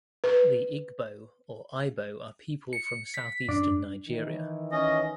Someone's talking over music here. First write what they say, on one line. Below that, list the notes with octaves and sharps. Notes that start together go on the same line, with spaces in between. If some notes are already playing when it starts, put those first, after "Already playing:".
The Igbo or Ibo are people from Southeastern Nigeria.
B4
C#7
B6
F#2 D4
D#3 E3
C#4 D#5